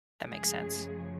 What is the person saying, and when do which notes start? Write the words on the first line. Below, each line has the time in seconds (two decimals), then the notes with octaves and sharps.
That makes sense.
0.25 F#2 C#3 F3 G#3 A3 G#4